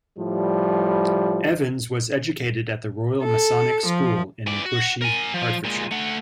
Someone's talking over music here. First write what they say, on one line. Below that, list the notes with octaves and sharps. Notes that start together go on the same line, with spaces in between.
Evans was educated at the Royal Masonic School in Bushey, Hertfordshire.
A2 F3 G3
A4
F3
E3 D5
F#4
A#4 G#5
F3
A#2 G#3
A3 F#5